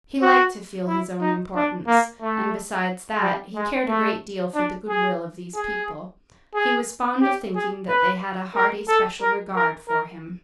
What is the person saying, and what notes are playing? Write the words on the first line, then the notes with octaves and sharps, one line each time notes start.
He liked to feel his own importance, and besides that, he cared a great deal for the good-will of these people: he was fond of thinking that they had a hearty, special regard for him.
F#4
E4
D#4
D4
A#3
A3
G3
G#3
A3
D4
G#4
G#4
G#4
G4
G#4
B4
A#4
A4
A#4
A#4
A#4